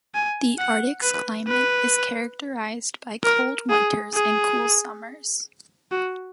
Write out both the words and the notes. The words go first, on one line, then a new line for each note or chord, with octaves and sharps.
The Arctic's climate is characterized by cold winters and cool summers.
G#5
F#5
B4
B4
A#4
G#4
G#4
F#4